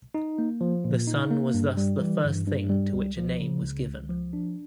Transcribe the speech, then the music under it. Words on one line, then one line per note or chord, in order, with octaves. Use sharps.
The sun was thus the first thing to which a name was given.
D#4
A#3
F3
A#2
D#4
A#3
G2
G3
E3
G2
G2
G3
C#2
F3
C#3
C#2
C#2
F3
D4